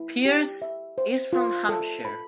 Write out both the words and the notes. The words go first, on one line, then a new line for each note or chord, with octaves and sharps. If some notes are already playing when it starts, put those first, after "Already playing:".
Pearce is from Hampshire.
Already playing: E4
G4
E5
C5
F4
A4
B5